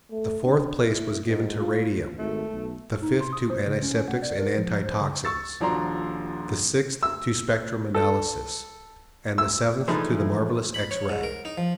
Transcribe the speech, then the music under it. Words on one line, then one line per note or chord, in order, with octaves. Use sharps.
The fourth place was given to Radium, the fifth to Antiseptics and Antitoxines, the sixth to Spectrum Analysis, and the seventh to the marvelous X-Ray.
A3
D4
E4
G#2
F4
G#1 A3
B1
D#4
C6
D#6
C5
C#3
C#4
F#5
D5
A#4
F3
C5
C#3
C#6 E6 A6
D#1 F3 D4 F#4 A#5 C6
E6
A4
E6
E3 F3 G#3 A3 D4 D#4
B5
C#5
G#2
A#4
D#4
F3